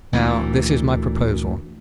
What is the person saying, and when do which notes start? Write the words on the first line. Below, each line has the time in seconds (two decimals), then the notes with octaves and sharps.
Now, this is my proposal.
0.13 D2 A#2 E3